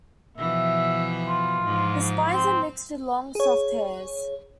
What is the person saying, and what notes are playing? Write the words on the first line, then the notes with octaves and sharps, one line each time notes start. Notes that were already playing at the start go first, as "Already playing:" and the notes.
The spines are mixed with long, soft hairs.
B2 E3 F3 E5
F4
G#2 F3
C4
G#4 C#5